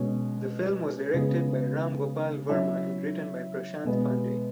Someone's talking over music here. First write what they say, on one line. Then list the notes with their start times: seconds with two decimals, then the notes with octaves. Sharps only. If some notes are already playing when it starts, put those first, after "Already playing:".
The film was directed by Ram Gopal Varma and written by Prashant Pandey.
Already playing: B2 G#3 C#4
1.14 C#3 G#3 B3 G#4
2.49 F#3 C#4 E4 C#5 E5
3.85 B2 G#3 B3